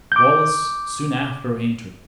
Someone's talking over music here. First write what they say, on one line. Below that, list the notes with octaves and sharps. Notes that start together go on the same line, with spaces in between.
Wallace soon after entered.
D6 G6